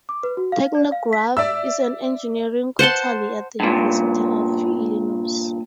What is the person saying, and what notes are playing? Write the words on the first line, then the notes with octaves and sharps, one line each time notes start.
"Technograph" is an engineering quarterly at the University of Illinois.
D6
B4
F#4
F5
D5
F5
B6
D5 E5 E6
C5 F#5 A5 C6
G2 A#2